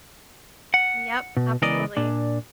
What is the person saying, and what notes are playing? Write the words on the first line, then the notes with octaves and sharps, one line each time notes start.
Yep, absolutely.
F#5
B2
C#2 E3 B3 A#4 D5 D#5
A#2 D4